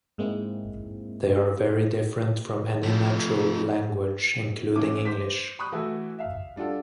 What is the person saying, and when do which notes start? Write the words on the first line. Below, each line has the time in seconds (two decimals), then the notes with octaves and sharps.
They are very different from any natural language, including English.
0.18 G#2 G#3 A#3 C4 E4
2.83 F3 A3
4.76 E3 A3 C#4 D6
5.05 C5 D6 B6
5.59 B5 C#6 D#6 F#6
5.72 E3 A3 E4 F#4 A4
6.19 E5 F5
6.56 G3 D4 F4 A4 F#5